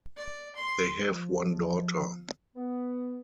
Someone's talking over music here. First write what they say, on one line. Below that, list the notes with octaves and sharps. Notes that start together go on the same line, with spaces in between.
They have one daughter.
D5
C6
F3
B3